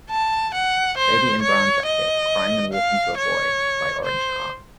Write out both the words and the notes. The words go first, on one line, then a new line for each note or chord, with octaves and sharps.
Baby in brown jacket, crying and walking to a boy, by orange car.
A5
F#5
C5
C#5
D#5
F5
C#5
C5